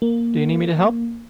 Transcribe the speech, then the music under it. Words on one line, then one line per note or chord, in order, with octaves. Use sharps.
Do you need me to help?
A#3